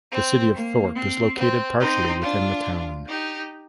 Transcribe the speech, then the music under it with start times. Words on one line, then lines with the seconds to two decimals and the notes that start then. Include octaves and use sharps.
The City of Thorp is located partially within the town.
0.12 C4
0.55 A#3
0.96 C4
1.38 C4
1.81 C4 D#4
2.23 D4 F4
3.08 D#4 G4